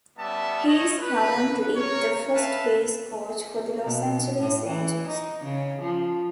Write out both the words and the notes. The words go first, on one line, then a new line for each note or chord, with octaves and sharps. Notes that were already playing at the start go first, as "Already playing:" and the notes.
He is currently the first base coach for the Los Angeles Angels.
G3 B3 C#4 E5 A5
A3 C#4 C#5 D#5
B4
A#4 C#5
A4 B4 E5 F5 A5
B2
A2
E3
D#4
C#3
F3